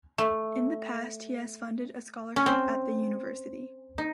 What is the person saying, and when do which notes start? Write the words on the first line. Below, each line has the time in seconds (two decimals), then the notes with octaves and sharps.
In the past he has funded a scholarship at the university.
0.18 A3
2.36 C#4
2.46 C4
3.98 D#4